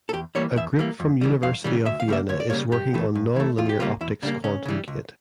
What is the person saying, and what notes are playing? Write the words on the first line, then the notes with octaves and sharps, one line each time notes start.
A group from University of Vienna is working on nonlinear optics Quantum gate.
A4
E2 G4
E3 G3 A#3 C#5
E2 E5
E3 G3 A#3
F2
C#3 E3 G3
F2 F5
C#3 E3 G3
D2 E5
F5
C#3 G3 A#3 E5
D2 C#5
D5
C#3 G3 A#3 C#5
G2 G4
E3 A3
G2
E3 A3
E2 F4
G4
C#3 G3 A#3 F4
E2 E4
C#3 G3 A#3 D4
C#2 C#4
C#3 E3 G3
C#2